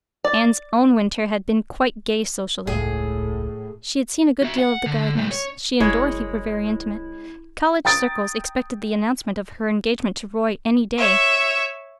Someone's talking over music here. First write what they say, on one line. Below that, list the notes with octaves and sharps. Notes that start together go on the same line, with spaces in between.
Anne's own winter had been quite gay socially. She had seen a good deal of the Gardners; she and Dorothy were very intimate; college circles expected the announcement of her engagement to Roy any day.
D5
E1 C#2 A2 G#4
F#4 E5
F#5
D3
A#2 G3
C#5
F#1 G#3 E4 C#5
G5 A#5 D#6 A6 D7
C#5 E5